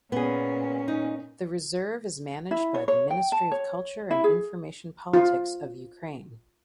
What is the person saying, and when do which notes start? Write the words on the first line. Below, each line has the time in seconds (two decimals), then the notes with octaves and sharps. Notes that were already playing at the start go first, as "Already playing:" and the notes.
The reserve is managed by the Ministry of Culture and Information Politics of Ukraine.
0.12 A#2 B3 C#4 G#4
0.88 D#4
2.51 E4
2.75 C#5
2.88 C#5
3.11 G5
3.32 A5
3.52 C#5
4.11 E4
4.24 G#4
5.14 F4